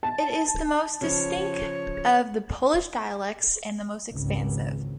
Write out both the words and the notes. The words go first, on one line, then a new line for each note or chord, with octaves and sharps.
It is the most distinct of the Polish dialects and the most expansive.
A5
C#3 F3 C#5
G#1 C#2